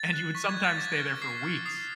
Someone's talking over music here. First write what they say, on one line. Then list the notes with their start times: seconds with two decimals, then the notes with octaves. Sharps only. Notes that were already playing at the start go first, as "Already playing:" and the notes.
And you would sometimes stay there for weeks,
Already playing: A6
0.13 F#6
0.35 C#6 B6
0.49 G#6
0.57 F#6
0.64 A6
0.78 D6 A#6
1.00 F6
1.22 D6 C7
1.43 F6
1.65 D#6 C7